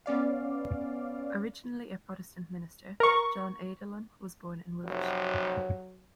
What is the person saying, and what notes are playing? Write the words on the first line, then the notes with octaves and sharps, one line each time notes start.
Originally a Protestant minister, John Adelham was born in Wiltshire.
B3 C#4 D5 F5
A#4 C#6
F1 F#3